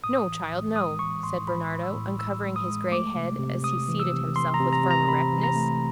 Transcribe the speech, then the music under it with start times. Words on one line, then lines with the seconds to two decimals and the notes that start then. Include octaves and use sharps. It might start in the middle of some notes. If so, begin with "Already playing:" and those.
"No, child, no," said Bernardo, uncovering his grey head, as he seated himself with firm erectness.
0.04 A2 D#6
0.28 E3
0.52 A2
0.76 G#3 D#6
0.99 E3 C#6
1.23 A2 C6
1.47 A2 B5
1.72 A2
1.83 E6
1.96 A2
2.19 A2 E6
2.44 G#3
2.56 D#6
2.68 G#3
2.92 A3 D6
3.15 C3
3.39 C3
3.63 C3 D#6
3.88 E3
4.00 E6
4.13 C3
4.36 E3 C6
4.54 A#5
4.60 C3
4.73 A#5
4.84 C3
4.91 A#5
5.08 C3 B5
5.32 E3
5.43 A#5
5.56 A3